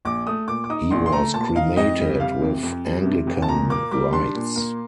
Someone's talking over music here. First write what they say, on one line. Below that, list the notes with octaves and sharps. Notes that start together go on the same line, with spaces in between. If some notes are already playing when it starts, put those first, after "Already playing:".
He was cremated with Anglican rites.
A#1 D6
A3 D#6
A#2 D6
D6
D#4 D#6
A#1 C6
C6
A3 A#5
A#2 A5
D#4 F5
F2 D#5
G3
C3 F5
F2
F2
G3
C3
F2
A5
A#2 A#5
A#3 D6
G3 D6
D4 C6
A#2
A#3